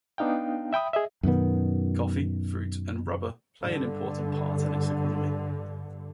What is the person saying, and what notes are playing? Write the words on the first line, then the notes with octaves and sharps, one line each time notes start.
Coffee, fruit, and rubber play an important part in its economy.
B3 D4 D#4 F5 G5
E5 G5 B5 D#6
G#4 D#5 E5
F#2 B2 D#3 B3
G2 D3